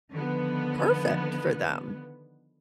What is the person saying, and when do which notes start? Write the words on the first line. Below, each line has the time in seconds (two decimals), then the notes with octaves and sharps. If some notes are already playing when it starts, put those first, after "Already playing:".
perfect for them,
0.12 D3 D#3 F3 B3